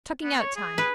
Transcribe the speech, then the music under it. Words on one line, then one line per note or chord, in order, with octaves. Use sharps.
Chuckingout time.
B3
C#5
G#4
B4